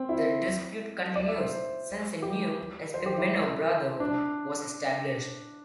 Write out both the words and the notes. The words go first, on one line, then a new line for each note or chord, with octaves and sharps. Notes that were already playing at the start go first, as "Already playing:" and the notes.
The dispute continues since a new "Esphigmenou brotherhood", was established.
Already playing: C4
E4
D5
E5
C5
G4
C5
G4
E4
D4